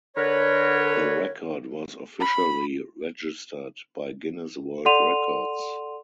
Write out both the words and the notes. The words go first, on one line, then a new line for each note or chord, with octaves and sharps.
The record was officially registered by Guinness World Records.
D3 A#4 B4 C#5
B5
A4 D5 F#5 C6 D#7 F7